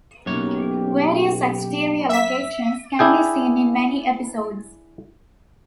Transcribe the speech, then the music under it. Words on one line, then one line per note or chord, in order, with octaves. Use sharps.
Various exterior locations can be seen in many episodes.
B1 F#2 A#3 G4 C#5
E5 B6
D4 E4 G#4 G5